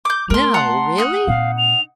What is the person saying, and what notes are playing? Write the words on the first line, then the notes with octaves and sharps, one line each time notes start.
"No, really?"
D6 G6
A3 A#4 C6
F#5 A5 A#5 C6
D#4 F#5
A#2 C4 F5
F7